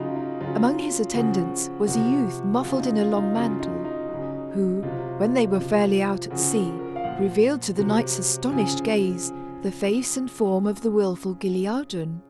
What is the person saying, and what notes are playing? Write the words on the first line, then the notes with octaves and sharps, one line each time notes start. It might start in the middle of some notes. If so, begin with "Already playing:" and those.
Among his attendants was a youth muffled in a long mantle, who, when they were fairly out at sea, revealed to the knight's astonished gaze the face and form of the wilful Guilliadun.
Already playing: C#3 F#3 D#4 F4
D#4
C#3 F#3 F4
C#3 F3 F#4
C3 F3 F#4
C#3 F#3 F4
D#4
F4
D#4
C#3 F#3 F4
D#4
D#4
C#3 F#3
C3 F#3 F4
C3 F3
C#3 F3 F#4
A#4
A#4
F5
A#2 F3 F#5
C3 F#3
C#3 F3 G#5